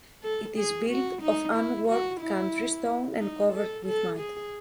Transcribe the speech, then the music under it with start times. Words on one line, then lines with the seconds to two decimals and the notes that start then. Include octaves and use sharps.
It is built of unworked country stone and covered with mud.
0.23 A4
0.57 G#4
0.90 F#4
1.22 D#4
1.55 E4
1.89 F#4
2.21 E4
3.20 D#4
3.53 A4
3.86 A4
4.19 G#4